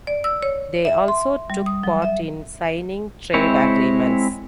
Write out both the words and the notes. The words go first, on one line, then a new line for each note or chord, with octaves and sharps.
They also took part in signing trade agreements.
D5
E6
C#5
E5
C6
G3
D#6
F#3
E5
G#3 C4 E4 C#5